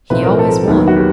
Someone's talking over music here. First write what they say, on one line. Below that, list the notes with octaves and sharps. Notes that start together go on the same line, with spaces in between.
"He always won."
B1 A2 F3 A3 C4 B4
A#4
A4
D#2 D#3 F#3 B3
F#4
G4